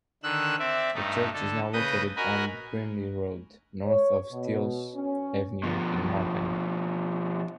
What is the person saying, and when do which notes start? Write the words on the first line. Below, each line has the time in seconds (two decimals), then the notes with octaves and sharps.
The church is now located on Brimley Road, north of Steeles Avenue in Markham.
0.23 D3 D#3 E6 F#6
0.59 C4 D5 E5
0.95 G2 A3 D#4
1.33 D3 A4
1.73 C#3 B4 D#6 G6 A#6
2.16 F#4 A#4 D#5 G#5 B5
3.86 C#5
4.31 B2
4.94 C#4
5.63 B2 F3